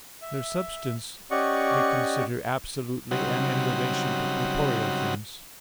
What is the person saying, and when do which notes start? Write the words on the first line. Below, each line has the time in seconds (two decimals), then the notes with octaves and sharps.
Their substance we consider absolutely and in relation to corporeal things.
0.22 E5
1.31 C#4 G4 D5 D#5 F#5 C#6
3.11 C#3 F#3 G3 C4 D#4 F#4